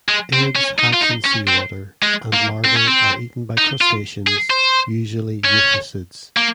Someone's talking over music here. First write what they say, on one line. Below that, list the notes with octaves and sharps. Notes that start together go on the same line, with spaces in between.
Eggs hatch in seawater, and larvae are eaten by crustaceans, usually euphausids.
G#3
C4
C#4
D#4
F4
D#4
C#4
C4
G#3
A#3
C4
C#4
C4
D#4
F4
G#4
C5
C#4
A#3